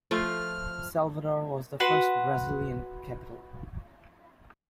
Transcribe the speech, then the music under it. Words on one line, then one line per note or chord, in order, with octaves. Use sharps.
Salvador was the first Brazilian capital.
F3 A3 F4 F6
F#4 B4 F#5 C6